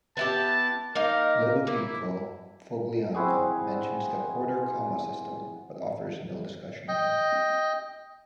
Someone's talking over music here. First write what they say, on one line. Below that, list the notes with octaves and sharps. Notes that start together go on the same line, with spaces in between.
Lodovico Fogliano mentions the quarter-comma system, but offers no discussion of it.
B3 E4 G4 A5
A#3 D#4 A#4 F5
A#3 E4
C4 E4 F#4 G#4
D#5 G5